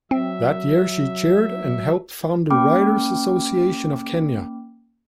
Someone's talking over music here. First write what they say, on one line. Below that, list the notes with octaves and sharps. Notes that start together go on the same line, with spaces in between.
That year, she chaired and helped found the Writers' Association of Kenya.
F#3 C4 E5
A#3 C#4 G5 B5 D6 F6